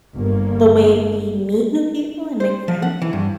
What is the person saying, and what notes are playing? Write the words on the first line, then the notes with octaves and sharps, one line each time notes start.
the way we meet new people and make friends?
G1 G2 A#3
C5
F3
F#5
E3
G2